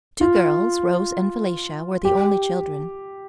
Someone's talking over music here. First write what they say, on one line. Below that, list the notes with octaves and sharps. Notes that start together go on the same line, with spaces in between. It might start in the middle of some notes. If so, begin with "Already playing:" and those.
The two girls, Rose and Felicia, were the only children.
F4
G4